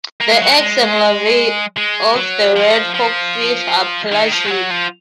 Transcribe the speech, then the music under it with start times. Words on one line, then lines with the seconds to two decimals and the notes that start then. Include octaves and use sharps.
The eggs and larvae of the red hogfish are pelagic.
0.20 A#3
0.30 G#3
0.42 F#3
0.53 G#3
1.77 G#3
2.16 F#3
2.56 F3
2.94 F3
4.12 D#3
4.32 F3
4.46 G#3
4.51 F#3
4.71 F3